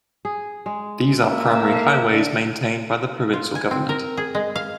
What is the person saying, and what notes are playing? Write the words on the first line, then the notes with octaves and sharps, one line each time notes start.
These are primary highways maintained by the provincial government.
G#4
G#3
A#3 E5
A4 F5
D3
F4
G#5
C4
A#4
G#4
G#3
F5